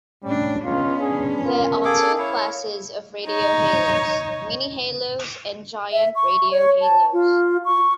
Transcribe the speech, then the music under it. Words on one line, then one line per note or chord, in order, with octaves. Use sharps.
There are two classes of radio halos: mini-halos and giant radio halos.
A2 G3 C#4 D4
C#2 B3 C#4 F4
D4 G#4
F4 A#4
G#4 A4 F5 D6
E4 C#5
D#4 C#5
E5
C#6
C#5
A5
F4
C#6